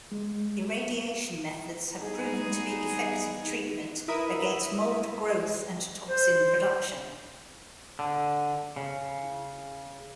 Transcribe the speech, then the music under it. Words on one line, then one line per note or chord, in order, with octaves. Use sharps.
Irradiation methods have proven to be effective treatment against mold growth and toxin production.
G#3
G3 B3 D#4 G#4
E4 A#4 B4 E5 B5 D#6
C5
D3
C#3